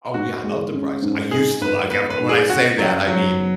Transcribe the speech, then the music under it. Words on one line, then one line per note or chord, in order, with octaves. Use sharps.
Oh yeah, I love The Price I used to, like, when I say that, I mean
G#2 F#4
G#3
C#4
G#2
D#4 G#4
G#2 B4
B3 B4
B4
G#2
G#4
C#3 F#4
F#1 F#3
F#1 F#3
B3